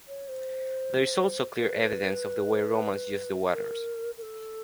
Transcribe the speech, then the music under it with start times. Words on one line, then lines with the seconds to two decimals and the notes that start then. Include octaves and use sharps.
There is also clear evidence of the way Romans used the waters.
0.08 C#5
0.28 C5
1.59 B4
3.53 A#4
4.18 A#4
4.22 A4